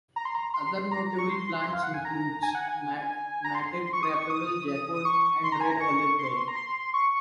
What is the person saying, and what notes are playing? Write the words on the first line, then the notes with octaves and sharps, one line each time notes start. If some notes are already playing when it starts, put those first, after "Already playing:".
Other notable plants include mative crabapple, jackwood and red olive berry.
A#5
C6
A#5
C6
A#5
C#6
C6
F5
F#5
G#5
A#5
G#5
F#5
G#5
A#5
C6
C#6
D#6
C#6
D#6
D#6
D#6
C#6
C6
A#5
G#5
A#5
C#6
C6
C#6
C6
A#5
C6
C#6